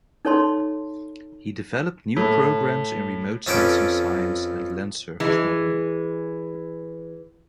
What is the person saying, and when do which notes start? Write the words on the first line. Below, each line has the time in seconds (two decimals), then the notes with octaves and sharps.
He developed new programs in remote sensing science and land surface modeling.
0.25 D#4 A4 C#5 A5 C6
2.17 A2
3.47 F2 C#4 A4 B4 G5 D6
5.20 E3 G#3